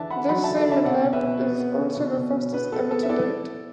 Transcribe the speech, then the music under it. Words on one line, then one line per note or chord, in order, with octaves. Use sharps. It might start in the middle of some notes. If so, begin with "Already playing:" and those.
This same lap is also the fastest-ever to date.
Already playing: D3 E3 D4 D5 E5 A5
D4 F#5 B5
F#3 F#5 B5
D3 E5 A5
A4 D5
D3
E5 A5
B2 D5 F#5
B2
B4 E5
B2
B3
B3
D3
B2
B2
B2
B3 B4
B3 A4
B3 A4
E5
E4 A4 D5